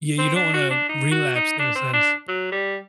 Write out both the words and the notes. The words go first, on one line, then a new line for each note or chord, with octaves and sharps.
Yeah, you don't wanna relapse, in a sense.
C4
D4
F#4
D4
D#4
F#4
D#4
D4
C4
D4
F#3
G3